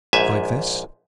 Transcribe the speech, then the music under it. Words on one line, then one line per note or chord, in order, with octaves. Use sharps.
"Like this?"
A#1 G#2 E5 G#5